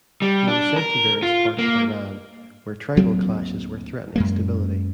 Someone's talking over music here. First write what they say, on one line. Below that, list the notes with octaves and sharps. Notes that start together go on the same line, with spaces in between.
He was sent to various parts of Iran where tribal clashes were threatening stability.
G3
D4
A#4
F4
A#3
D2 F#3 A#3 C4
F#2 G#3 A#3